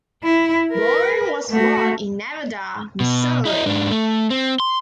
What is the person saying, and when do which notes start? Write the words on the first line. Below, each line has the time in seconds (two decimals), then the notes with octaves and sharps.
Bowring was born in Nevada, Missouri.
0.24 E4
0.73 A#4 B4
1.50 A3 F#4
3.00 B2
3.45 E4 D#5
3.66 G#2 D4
3.91 A3
4.30 C4
4.60 C6